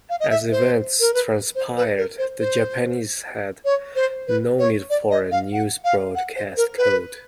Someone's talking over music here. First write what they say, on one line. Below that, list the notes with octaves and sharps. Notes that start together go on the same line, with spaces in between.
As events transpired, the Japanese had no need for a news broadcast code.
F5
D#5
E5
C5
A#4
B4
C5
B4
A#4
C5
C5
C#5
C5
B4
C#5
D5
D#5
F5
F#5
F5
F#5
C5
A#4
B4